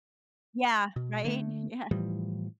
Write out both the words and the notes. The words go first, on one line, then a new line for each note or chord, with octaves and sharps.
Yeah. Right, yeah
B2
D3 G#3 A3
A2 E3 F3 G3